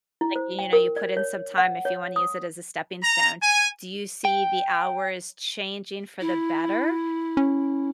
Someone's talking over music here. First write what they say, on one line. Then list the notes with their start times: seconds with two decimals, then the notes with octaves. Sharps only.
like, you know, you put in some time if you wanna use it as a stepping stone, do you see the hours changing for the better?
0.21 E4
0.36 C5
0.59 G5
0.73 A#4
0.96 D5
1.17 C#5
1.58 F#5
1.85 C#5
2.16 D#6
3.02 A#5
3.41 G#5
4.25 G5
6.21 E4
7.37 C#4